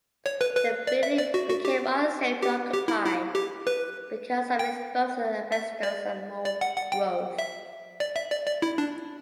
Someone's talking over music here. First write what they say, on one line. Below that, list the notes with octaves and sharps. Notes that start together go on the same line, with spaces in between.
The building became unsafe to occupy because of exposed asbestos and mold growth.
C#5
B4
B4
D5
E5
D5
F#4
F#4
G4
G4
G4
E4
E4
G4
B4
G5
E5
D5
D5
F#5
F#5
G5
E5
D5
E5
D5
D5
E4
D4